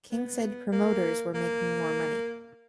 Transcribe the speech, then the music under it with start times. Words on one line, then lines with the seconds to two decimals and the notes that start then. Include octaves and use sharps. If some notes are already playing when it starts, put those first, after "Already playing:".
King said Promoters were making more money.
0.11 B3
0.72 A#3
1.34 A#3